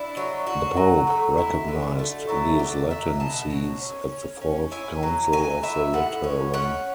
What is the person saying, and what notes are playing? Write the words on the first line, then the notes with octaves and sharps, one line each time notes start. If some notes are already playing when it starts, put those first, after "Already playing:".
The pope recognised these "Latin" sees at the Fourth Council of the Lateran.
Already playing: D4 E4
F#3
F#3 F#4
F#3
A3
E4
D3
A3
F#3 E4
F#3 D5
F#3 E5
B2 A5
F#3
C#4
C#4
C#4
E4 G#5
F#3
F#3 G#5
E4 E5
A2 F#5
C#4
C#4 F#5